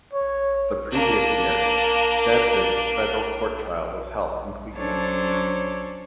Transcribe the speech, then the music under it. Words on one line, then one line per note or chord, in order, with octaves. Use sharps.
The previous year, Debs's Federal Court trial was held in Cleveland.
C#5
A#3 D4
F#3 C#4 D4 A4 C5 C#5